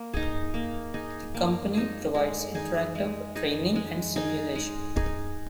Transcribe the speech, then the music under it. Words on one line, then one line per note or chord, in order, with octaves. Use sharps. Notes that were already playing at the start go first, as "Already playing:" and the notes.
The company provides "Interactive Training and Simulation".
Already playing: A#3
D#4 G#4
A#3
D#4 G#4
A#3
D#4 G#4
G#3
D#4 G#4
G#3
D#4 G#4
G#3
D#4 G#4
G#3
D#4 G#4